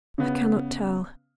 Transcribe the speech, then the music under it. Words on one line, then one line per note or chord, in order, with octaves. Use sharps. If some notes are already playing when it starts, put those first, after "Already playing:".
I cannot tell.
C#3 B3